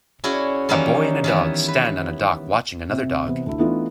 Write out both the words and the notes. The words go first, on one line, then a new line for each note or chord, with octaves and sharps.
A boy and a dog stand on a dock watching another dog.
C#4 E4 F#4 G#4 D5
D#3 E3 G3 A#3 C#4 D#4
D#3 E3 B3
B4
C3 C4
C3 E3 B3
D2 E4
E3 A3 B3 D4 D#4 F4